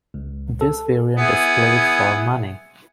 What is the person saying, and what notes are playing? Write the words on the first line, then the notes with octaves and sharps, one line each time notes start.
This variant is played for money.
C#2
A4
B3 E4 G#4